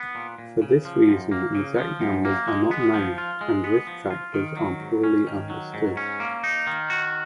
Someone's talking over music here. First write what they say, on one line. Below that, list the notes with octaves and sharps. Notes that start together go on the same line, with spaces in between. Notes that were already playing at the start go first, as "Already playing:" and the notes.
For this reason exact numbers are not known, and risk factors are poorly understood.
Already playing: B3
A#2
A#2
C#3
F3
F#2
A#3
C#3
F3
F#2
A#3
G#3
B3
F3
F4
G#3
B3
F3
F4
D#3
F#3
G#2
C#4
D#3
F#3
G#2
C#4
A#3
D#4
D#3
F#4